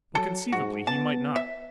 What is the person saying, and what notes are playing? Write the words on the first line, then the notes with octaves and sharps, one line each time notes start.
But conceivably he might not.
F#3 A4
G#2 F#4
B3 A5
E5